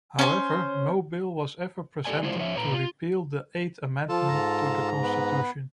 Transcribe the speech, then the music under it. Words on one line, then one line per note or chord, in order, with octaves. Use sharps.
However, no bill was ever presented to repeal the Eighth Amendment to the Constitution.
C#4 C5
G4 A4 A#4 D5 G#5
G#3 E4 F4 C5 D5
F3 C#5 E5
A#2 B4 A#5
F4
F3 F4 A4 A5
G#2 A#5
B3 B4